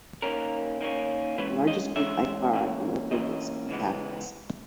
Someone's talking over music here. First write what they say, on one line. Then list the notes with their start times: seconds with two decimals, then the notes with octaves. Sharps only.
The largest group by far in Oak Ridges are Catholics.
0.22 D#3 A#3 C#4 A#4
0.81 D#3 A#3 C#4
1.38 E3 G#3 C#4 B4
1.67 D#5
1.96 E3 G#3 C#4 E5
2.53 E3 A#3 C#4
3.11 E3 A#3 C#4 D#5
3.69 C#3 E3 G#3 B3